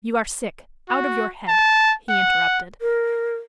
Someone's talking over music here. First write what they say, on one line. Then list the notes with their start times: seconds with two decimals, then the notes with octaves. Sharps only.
"You are sick--out of your head," he interrupted.
0.89 F#4
1.48 A5
2.09 F#5
2.81 A#4